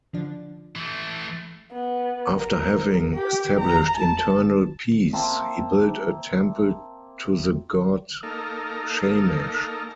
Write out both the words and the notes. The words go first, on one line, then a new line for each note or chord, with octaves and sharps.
After having established internal peace, he built a temple to the god Shamash.
D3 F3 D4
E3 A3
B3
A#4
G4
A#5
A5
A#3 C4 E5 A5
A#3 D#4 A4 A#4